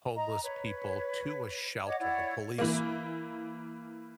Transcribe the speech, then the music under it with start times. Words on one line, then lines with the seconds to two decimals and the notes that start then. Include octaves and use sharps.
homeless people to a shelter, the police
0.15 D#5 A#5
0.44 B4 C#5
1.85 C#5 D#5 F#5 D6
1.99 E4 C#5 D5 F#5
2.58 E3 A#3